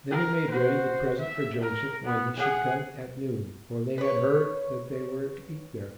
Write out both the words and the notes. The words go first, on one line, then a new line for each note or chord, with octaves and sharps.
Then they made ready the present for Joseph, when he should come at noon, for they had heard that they were to eat there.
A#4
F#4 C5
E5
A#4
B3
G#4 F#5
B4 C#5